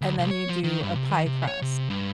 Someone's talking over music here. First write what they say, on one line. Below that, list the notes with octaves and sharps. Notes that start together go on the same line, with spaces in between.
and then you do a pie crust
D2
C2
C#5
F3
D#3
G2
C3
D#3
C3
C#5
C3
G2